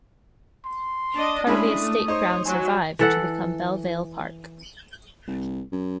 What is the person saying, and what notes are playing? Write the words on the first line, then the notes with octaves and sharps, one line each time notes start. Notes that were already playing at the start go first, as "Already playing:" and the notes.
Part of the estate grounds survived to become Belle Vale Park.
C6
D4 D#5
G#3 C#4 D4 E4 B5 D#6
A3
D#4 C5 C#5
F#3 G#5
E3 A4 F#5
C2
F#2